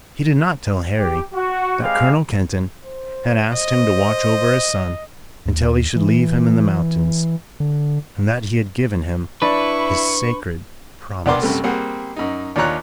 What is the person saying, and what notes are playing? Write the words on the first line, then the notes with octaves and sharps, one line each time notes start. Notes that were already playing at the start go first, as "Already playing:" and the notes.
He did not tell Harry that Colonel Kenton had asked him to watch over his son until he should leave him in the mountains, and that he had given him his sacred promise.
G4
F#4
G3 G#3 C4 G4 F5
C5
C5 D#5
D#2
E3
D3
D4 E4 B4 C#6
C2 B3 D4 A#4 C6 D6
F#2 C3 G3 A3
G3 A#3 C4 G#4 F#5
F#2 D#4
D#2 D4 F4 C#5 A#5 F#6